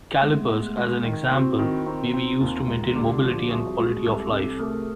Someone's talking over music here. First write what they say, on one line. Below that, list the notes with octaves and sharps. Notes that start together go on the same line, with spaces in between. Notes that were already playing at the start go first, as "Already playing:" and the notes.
Calipers, as an example, may be used to maintain mobility and quality of life.
G#3 A3 B3
G#3
G#3
D#3
C4 E4 F#4
D#3
C4 D#4 F4
C4
D#2
G#3
D3 F4 G4
F3
C2 F#4 G#4
G#3
C2 G4 A4
C3
A3 G#4 A#4